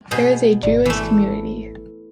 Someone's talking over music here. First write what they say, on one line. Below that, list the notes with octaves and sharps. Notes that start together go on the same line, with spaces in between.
There is a Jewish community.
B2 G#4 C5
G#1 D5
E3 A3